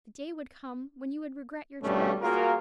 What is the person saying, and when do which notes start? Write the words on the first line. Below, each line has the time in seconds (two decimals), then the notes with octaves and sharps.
The day would come when you would regret your choice.
1.83 G#1 G2 B2 G3 A3 C#4
2.22 A#3 F4 F#4 G#4 A#4